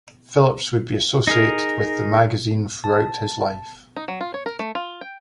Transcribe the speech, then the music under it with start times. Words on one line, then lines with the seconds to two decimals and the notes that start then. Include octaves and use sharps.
Phillips would be associated with the magazine throughout his life.
1.27 D#4 G#4 A#4
2.84 A5
3.96 D#4
4.08 F#3
4.21 F4
4.34 C#5
4.46 A#4
4.59 A3
4.75 F4
5.01 G5